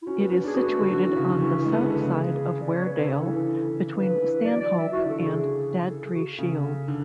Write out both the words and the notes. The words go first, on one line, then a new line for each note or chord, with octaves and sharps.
It is situated on the south side of Weardale, between Stanhope and Daddry Shield.
E4
C#4 F#4
B3
C#4
D4 G#4
B3 F#4
A3
D3
D3
E3
C#3
D3
E3
E3
G#3
B3
A3
D3
C#3 G#4
D5
C#5
B4
C#3 A4
D3
E3
E3
D3 B4
E3
F#3 D5
D5
E5
E3 F#4
D3
A4
C#3
G#4
A4
G#4
F#4
C#3 A4
D3